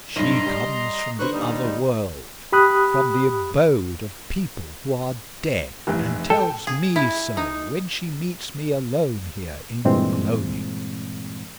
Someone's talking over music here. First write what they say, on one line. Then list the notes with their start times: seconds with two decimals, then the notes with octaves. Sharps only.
She comes from the other world--from the abode of people who are dead; and tells me so when she meets me alone here in the gloaming!
0.16 B1 G2 D3 D#5 A#5 C6
0.46 G3
1.19 D3 B4 C5 C#6 F#6
1.32 D#2 G3 D#4
2.52 G4 B5 D#6 F#6
5.87 F1 E3
6.30 A4 G5
6.67 G#4
6.96 E4
7.37 D#4
9.85 G2 A#2 E3 G#3 C4